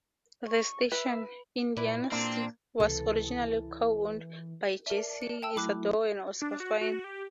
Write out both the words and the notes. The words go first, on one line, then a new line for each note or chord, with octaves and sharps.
The station, Indiana's sixth, was originally co-owned by Jesse, Isadore, and Oscar Fine.
C#6
B4 E5
A#2 E4 B4 D5
A#2 A#3 C4 D4
C#2 C3 E3 A4
A#4 D5 E5 A5
C#7
E5 G5 A5 E6
F#3 A3 E4 B5 D6 F#6
D4
F#4
F#4
G4